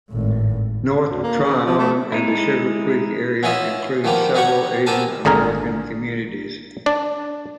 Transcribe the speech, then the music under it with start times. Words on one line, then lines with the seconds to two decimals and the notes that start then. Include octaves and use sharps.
North Tryon and the Sugar Creek area include several Asian-American communities.
0.10 G#1 A2
1.11 D2
1.23 A#3
1.43 C#3
1.66 F3
1.78 A3
2.12 G#3 D#4 E4
3.43 B3 C#4 E4 F4 D#5 E5
4.04 D#3 F3 G3 A#3 B3 G4
4.35 D#4 F#4 G4 C#5 F#5 C#6
4.86 B3 C4 G4 A#4 G#5 A5
5.25 G#1 D3 G#4 A#4 A#5
6.86 D4 D5